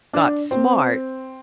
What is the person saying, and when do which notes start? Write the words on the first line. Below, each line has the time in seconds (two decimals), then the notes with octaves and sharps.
got smart,
0.13 D4
0.51 C4